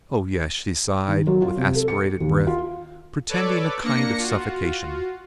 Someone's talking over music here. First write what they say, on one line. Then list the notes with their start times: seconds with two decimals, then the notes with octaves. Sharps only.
"Oh yes," she sighed, with aspirated breath, pretending a kind of suffocation.
1.08 D#3
1.27 F#3
1.42 F4
1.57 C3
1.75 A4
1.88 C#7
2.20 D#2
2.47 F4
3.29 A4 B4 C#5 D5 D6
3.83 A#3 D4 A#6 C#7
4.18 F4 F#4